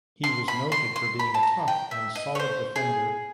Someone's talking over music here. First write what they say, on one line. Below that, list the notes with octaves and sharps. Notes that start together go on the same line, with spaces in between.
He was noted for being a tough and solid defender.
C6
B5
C6
C6
B5
A5
A#5
G5
E5
D#5
C#5
C5
G#4